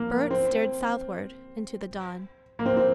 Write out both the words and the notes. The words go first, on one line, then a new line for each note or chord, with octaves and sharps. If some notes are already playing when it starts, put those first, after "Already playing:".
Bert stared southward into the dawn.
Already playing: A#3
C4
A#3
C4
C4